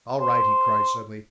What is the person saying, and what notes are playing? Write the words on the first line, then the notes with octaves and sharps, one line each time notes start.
"All right!" he cried suddenly.
C5